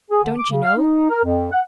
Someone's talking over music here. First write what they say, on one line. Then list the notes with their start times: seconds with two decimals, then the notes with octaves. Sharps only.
Don't you know?
0.10 G#4
0.23 D3
0.37 D6
0.50 C#3
0.63 F5
0.77 D#4
1.10 A#4
1.24 F2
1.52 F#5